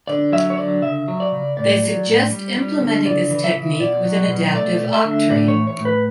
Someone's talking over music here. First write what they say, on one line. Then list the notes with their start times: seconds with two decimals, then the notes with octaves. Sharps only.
They suggest implementing this technique with an adaptive octree.
0.07 D3 D5
0.32 F#3 E5
0.50 C#5
0.57 D3 D5
0.82 C#3 E5
1.08 F#3
1.20 D5
1.32 C#3
1.57 A2 D5
1.82 F#3
2.06 A2
2.31 G3
2.56 G3
2.81 D3
3.06 C#3 D5
3.31 E3
3.44 E5
3.56 C#3
3.80 B2 D5
4.05 F#3
4.30 B2
4.55 A3 D5
4.80 A3
4.93 E5
5.04 D3
5.30 A2 D5
5.48 C#5
5.54 E3
5.67 C#5
5.79 A2
5.85 B4